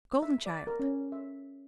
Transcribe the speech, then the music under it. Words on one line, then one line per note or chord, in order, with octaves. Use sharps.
Golden child.
E5
D5
A#4
C#4
E5